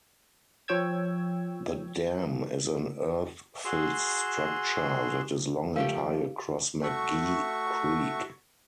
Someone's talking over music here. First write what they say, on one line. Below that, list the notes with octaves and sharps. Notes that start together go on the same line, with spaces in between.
The dam is an earth-filled structure that is long and high across McGee Creek.
F3 C#5 G5 E6 G#6
F#4 G#4 C6 E6
F3 A3 G4 A#4 F5
A3 F#4 E5 C#6